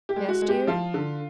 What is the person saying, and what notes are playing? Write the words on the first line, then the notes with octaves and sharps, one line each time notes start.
"Yes, dear?"
G4
G#3
F#4
G#3
G4
F3 F4
D3